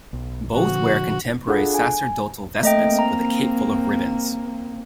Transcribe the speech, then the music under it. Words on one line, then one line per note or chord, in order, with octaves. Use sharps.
Both wear contemporary sacerdotal vestments with a cape full of ribbons.
B1
A#2 D3 F3 F#4
D4 F4 G#4 A4 F#5
G#5
A3 A#3 C4 D#5 G5
A#5